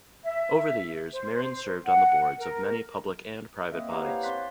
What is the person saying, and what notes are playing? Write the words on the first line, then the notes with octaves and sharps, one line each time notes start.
Over the years, Marren served on the boards of many public and private bodies.
E5
C5
F#5
A#4
A#3 C4 D#5 E5
E4 G4 B4 F5 F#5 A#5
C5 C#5 F5
C4 D5 C6 F#6 B6